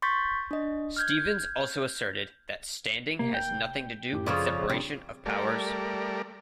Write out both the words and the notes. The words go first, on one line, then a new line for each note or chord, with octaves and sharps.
Stevens also asserted that standing has nothing to do with separation of powers.
C6 C#6 G6 A6 B6
D4 D#5
F6 G6 G#6
C3 A#3
F1 G5
F#2 A2 G4
F2 C#3 F3 C#5 D5
F2 C3 G3 D4
G3 A3 A#4 D5